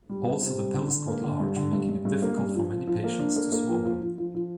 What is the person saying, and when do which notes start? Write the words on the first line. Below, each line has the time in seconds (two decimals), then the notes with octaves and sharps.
Also, the pill is quite large, making it difficult for many patients to swallow.
0.10 G3
0.25 C3
0.42 C3
0.58 G3
0.74 D3
0.91 D3
1.08 A#3
1.24 D3
1.40 G2
1.56 D3
1.73 G2
1.89 G2
2.05 G2
2.22 A#3
2.38 G2
2.55 F3
2.71 F3
2.87 F3
3.04 A#3
3.19 D4
3.36 A#3
3.52 A#3
3.69 F3
3.85 F3
4.01 F3
4.18 F3
4.35 F3